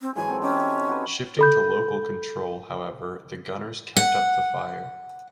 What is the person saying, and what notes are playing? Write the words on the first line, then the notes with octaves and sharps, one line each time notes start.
Shifting to local control, however, the gunners kept up the fire.
C4
G#2 E3 F#3 G#5
C4 A4
C#4 D#4 G4
F#4 B4
A4 B5 G6
F#5